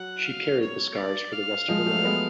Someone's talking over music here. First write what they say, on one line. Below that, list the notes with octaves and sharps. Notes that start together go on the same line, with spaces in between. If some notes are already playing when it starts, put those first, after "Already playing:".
She carried the scars for the rest of her life.
Already playing: F#3 F#5
F5
C#5
D5
F5
F3 G#3
F#3 A3
G#3 B3